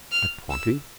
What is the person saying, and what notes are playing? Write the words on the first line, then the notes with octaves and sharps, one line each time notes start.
"At twenty?"
F6
E6